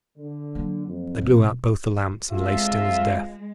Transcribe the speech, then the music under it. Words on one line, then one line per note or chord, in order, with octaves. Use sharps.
They blew out both the lamps and lay still as death.
D3
F#3 A#3
F2
B2
G#3 A3 C4 F4 E5